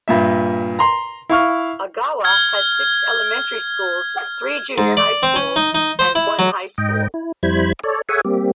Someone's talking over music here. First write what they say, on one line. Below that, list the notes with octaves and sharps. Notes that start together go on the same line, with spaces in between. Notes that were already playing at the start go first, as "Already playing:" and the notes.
Ogawa has six elementary schools, three junior high schools, and one high school.
G2 A#2 E5
A#5 C6
E4 F5 C#6 F6
F6 G#6
G#2
D5
C4
C#4
D#4
D#4
C5
E4
F#3
G#2 D#5 G5
E4
F2 G3 E4 C5 B5 G#6
A4 C#5 D5
G#4 A4 C#5 E5 F#5 G#5
G3 A#3 C4 G4